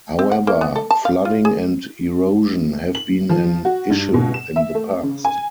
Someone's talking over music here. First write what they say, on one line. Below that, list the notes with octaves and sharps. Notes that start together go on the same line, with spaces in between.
However, flooding and erosion have been an issue in the past.
C4
F#5
A#3
B3
A4
A5
F5
F4
G#4
F#7
F3
F#4
G2
B2
E7
E5
A3
C#3
G#5